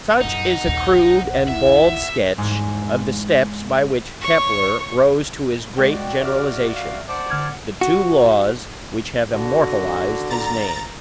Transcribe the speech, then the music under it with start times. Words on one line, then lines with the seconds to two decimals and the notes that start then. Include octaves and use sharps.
Such is a crude and bald sketch of the steps by which Kepler rose to his great generalizations--the two laws which have immortalized his name.
0.21 F#2 A#2 D#4 F#5
0.65 A#1 D#2
1.48 E4 E5
2.38 E2 G#2
4.21 C#5 C#6
5.77 G#3 F#4 D5 G5
6.21 G4 E5 F6
6.55 G4
6.75 F5
7.09 C5 D5 F#5 A5
7.30 D3 F6 G#6
7.81 F#4
9.31 D3 F#4
10.30 A#5 A6